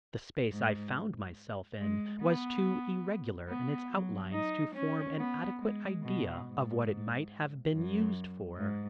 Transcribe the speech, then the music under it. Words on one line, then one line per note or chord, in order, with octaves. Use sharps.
The space I found myself in was too irregular in its outlines to form an adequate idea of what it might have been used for.
G#2
G#3
B3
B3
F#3
D#4
C#4
B3
G#3
B2
G#2
F#2
G#2